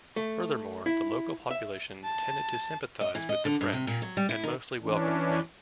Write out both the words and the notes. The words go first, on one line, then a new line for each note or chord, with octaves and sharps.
Furthermore, the local population tended to sympathise with the French, and mostly welcomed them.
A3
E4
E5
A5
D#5
E3
D#5
D3
G2
C3
A#2
F#3
G3
E4
D#3
E3 C#4 D4